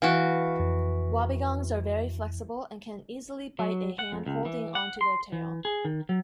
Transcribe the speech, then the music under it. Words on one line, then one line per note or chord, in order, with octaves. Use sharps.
Wobbegongs are very flexible and can easily bite a hand holding onto their tail.
E3 F#4 F5
F2
F#3
F#5
F2
C#2
E3
F#5
C6
E3
G#4
D#3
F#3